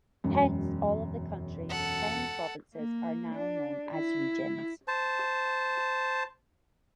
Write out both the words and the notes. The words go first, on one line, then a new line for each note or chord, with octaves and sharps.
Hence, all of the country's ten provinces are now known as regions.
E1 F#2
A4 F#5
A#3
D4
E4
C5 A5